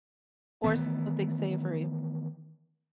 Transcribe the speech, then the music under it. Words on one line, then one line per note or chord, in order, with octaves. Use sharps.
or something savory.
D#3 E3 A3 B3